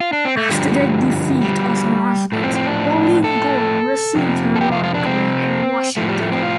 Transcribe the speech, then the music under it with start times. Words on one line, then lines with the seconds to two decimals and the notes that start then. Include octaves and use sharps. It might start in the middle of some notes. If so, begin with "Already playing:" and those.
After the defeat of her husband, Pauline Gore resumed her law career in Washington.
0.01 F4
0.13 D4
0.25 C4
0.37 A3
0.49 G2 D3 F3 G3
1.41 G3
2.32 A2 F3 A3
2.44 C4
2.55 C4
2.66 D4
3.24 A4
4.15 F2 C3 F3
4.55 A4
4.61 G4
4.72 F4
4.84 F4
4.94 D4
5.06 C4
5.97 A2 F3 A3
6.09 G3
6.20 A3
6.32 C4
6.43 F4